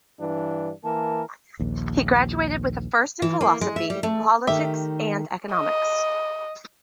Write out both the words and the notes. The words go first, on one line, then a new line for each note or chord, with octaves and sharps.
He graduated with a First in Philosophy, Politics and Economics.
G2 E3 D4
E3 A#3 A#4 A5
A#1 D#2
E3
A#3
G#3
E5
G3
A3
D#3 A3 G4 E5
D#5